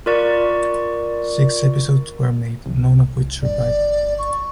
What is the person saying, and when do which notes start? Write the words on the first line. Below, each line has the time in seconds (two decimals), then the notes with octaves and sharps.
Six episodes were made, none of which survive.
0.06 F4 A#4 D5 C#6
2.66 C2
3.43 G1 D5
4.19 C#6